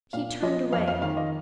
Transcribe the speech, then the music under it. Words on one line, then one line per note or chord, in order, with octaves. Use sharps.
He turned away.
A#2 F5
F3 D#5
F2 F5
F5
D#3 F5
D#5